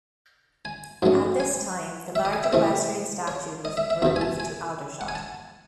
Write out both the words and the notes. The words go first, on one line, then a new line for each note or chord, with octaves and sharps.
At this time, the large equestrian statue was removed to Aldershot.
G#5
G#2 F#3 A3 C#4
G#5
E5
D#5
G#5
E5
C3 E3 A3 C4 D#5
C#5
D#5
E5
E5
E2 C3 E3 E5
G#5
A5
G#5
F#5
G#5
A5